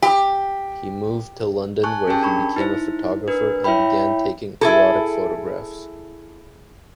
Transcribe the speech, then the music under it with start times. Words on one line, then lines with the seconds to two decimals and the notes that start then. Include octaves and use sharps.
He moved to London where he became a photographer and began taking erotic photographs.
0.02 G4
1.83 G#5 A5 C#6 F#6
2.07 C#4 G4 G#4 A#4 G5 A5
2.23 D4 A5 B5 C#6
2.56 D#4 E4 C5
3.28 D4 A#4 B4
3.64 E4 C#5 E5 G5 B5
4.61 E4 G#4 A4